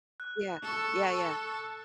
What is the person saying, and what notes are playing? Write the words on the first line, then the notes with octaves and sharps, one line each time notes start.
Yeah. Yeah, yeah.
F#6
A4 C#6